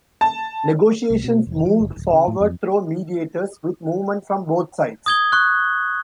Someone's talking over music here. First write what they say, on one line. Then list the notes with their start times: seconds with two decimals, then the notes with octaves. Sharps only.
Negotiations moved forward through mediators, with movement from both sides.
0.21 A5
1.10 C2
1.24 B2
1.47 F1
1.65 F3
1.80 F#1
1.97 D1
2.13 C#3
2.27 A2
2.40 F2
5.06 D#6 G#6 G7
5.32 C#6 F#6